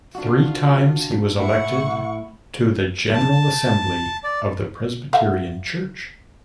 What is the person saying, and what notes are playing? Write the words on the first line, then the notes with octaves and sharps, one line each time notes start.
Three times he was elected to the General Assembly of the Presbyterian Church.
D4 F4 F#4
A2 E4 F#5 C#6
A5
D5
A3 F5 F#5